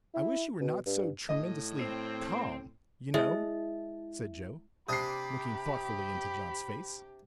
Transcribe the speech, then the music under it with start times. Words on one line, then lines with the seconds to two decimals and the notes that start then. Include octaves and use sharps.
"I wish you were not so tremendously calm, you know," said Joe, looking thoughtfully into John's face.
0.14 E4
0.61 B2
0.86 G2
1.29 A2 D#5
1.80 C4
3.14 G#3 E4 E5
4.89 C3 D4 G4 B5 D#6 C7